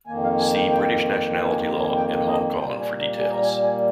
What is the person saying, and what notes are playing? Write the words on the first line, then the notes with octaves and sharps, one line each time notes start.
See British nationality law and Hong Kong for details.
F2 D#3 A#3 G#5
F5
G#5
G5
G5
G5
G#5
A#5
G#5
G5
D#5
A#2 G3 A#3 G5
G#5
A#5
G#5
A#5
G#5
G#5